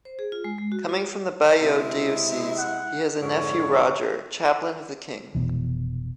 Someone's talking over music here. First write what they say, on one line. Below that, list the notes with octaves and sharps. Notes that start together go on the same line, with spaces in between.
Coming from the Bayeux diocese, he has a nephew Roger, chaplain of the king.
C5
G#4
F4
G#3
G#3
F#4
F4
C3 G#3 E4
F#5
F2 G#2 D3 C#5
F1 C2 B2 E3